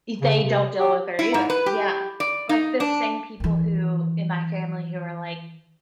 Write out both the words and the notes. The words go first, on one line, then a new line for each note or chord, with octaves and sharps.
e they don't deal with her either, yeah, like, the same people who in my family who are like,
C#3
C3
G4
E4
G#2
B4
G4
D5
D#4
D4
D#3 E3